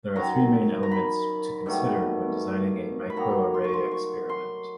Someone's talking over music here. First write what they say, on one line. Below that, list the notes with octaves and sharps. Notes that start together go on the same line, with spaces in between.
There are three main elements to consider when designing a microarray experiment.
F#2 D#3 F#3 A#5
A#5
B5
G2 D#3 F#3 A3
B5
D#3 F#3 A#3 A#5
C6
C#6
C6
C#6
C6